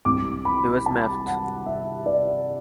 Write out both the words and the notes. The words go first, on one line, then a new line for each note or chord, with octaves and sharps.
He was miffed.
C2 C3 G3 D6
B5
A5
F#5
E5
D5